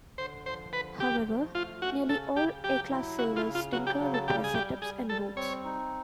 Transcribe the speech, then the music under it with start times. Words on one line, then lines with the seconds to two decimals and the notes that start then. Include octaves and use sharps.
However, nearly all A-Class sailors tinker with their setups and boats.
0.18 D3 C5
0.46 F3 C5
0.72 D3 B4
1.00 F3 G4
1.28 F3
1.54 A3 F4
1.82 C#4 F#4
2.09 C#3 A4
2.36 C#3 G4
2.64 F#3 G4
2.91 E4
3.18 C#3 F#4
3.36 F4
3.45 C#3
3.55 F4
3.73 F#3 F#4
3.87 G4
4.00 C#3
4.14 A4
4.28 G3 G4
4.44 G#4
4.54 G3 G4
4.82 G3 G#4
5.09 G3 A4
5.36 C4 C#5
5.64 D#4